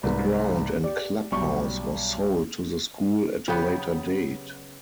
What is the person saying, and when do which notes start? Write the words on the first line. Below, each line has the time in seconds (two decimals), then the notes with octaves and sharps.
The ground and clubhouse was sold to the school at a later date.
0.03 C2 G#2 B4
0.84 G4 D5
1.32 B1 G3 D5 C#6
3.48 C#3 F#3 B3 G4